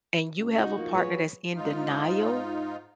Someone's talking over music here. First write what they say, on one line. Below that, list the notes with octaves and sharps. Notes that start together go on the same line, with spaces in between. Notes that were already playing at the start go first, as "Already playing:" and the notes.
and you have a partner that's in denial,
C#2
D#4 F#4
F3 A#3
F#3 B3 G#4 B4 C#5
G#2 D#4 F4